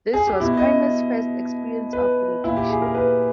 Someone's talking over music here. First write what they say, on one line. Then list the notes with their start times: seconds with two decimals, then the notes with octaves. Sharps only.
This was Primus' first experience of relegation.
0.14 G#4
0.27 G4
0.40 B2 E4
0.57 D#5
1.93 B4
2.44 A#2 E4
2.57 G4
2.69 G#4
2.82 A#4
2.95 B4